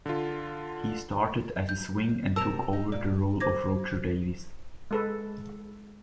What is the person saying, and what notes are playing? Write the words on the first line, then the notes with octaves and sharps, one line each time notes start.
He started as a swing and took over the role of Roger Davis.
D3 F4
G6
C3 A#4 A5 E6 F7
D#4
A#2 D5
C5 D6 G#6 A#6
G#3 A4 B4